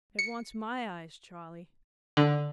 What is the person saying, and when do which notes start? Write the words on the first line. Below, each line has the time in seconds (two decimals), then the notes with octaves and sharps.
It wants my eyes, Charley.'
0.19 C#7
2.17 D3